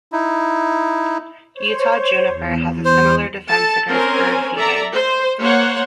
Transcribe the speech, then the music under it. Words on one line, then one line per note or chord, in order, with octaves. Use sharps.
Utah juniper has a similar defense against bird feeding.
D#4 E4
C5 C#5
E2
C5
A4 A5
C4 C#4 A#4 C5 G#5
A4 D5 E5 A#5
C5
A#3 C5 C#5 F#5